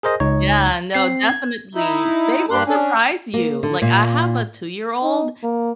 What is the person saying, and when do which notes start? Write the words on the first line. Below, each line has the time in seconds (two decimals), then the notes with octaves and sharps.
Yeah, no, definitely. They will surprise you. Like, I have a two-year-old,
0.03 G#4 A#4 C5 D#5
0.20 C#2 D#4 C#5
0.94 C4 C7
1.29 G#6
1.75 D#4 E4
2.51 G2 A#3 D4 G4 C6 F#6
2.66 C#4 D4
3.34 A#3
3.63 D3
3.82 A#2
5.03 D#4
5.43 A#3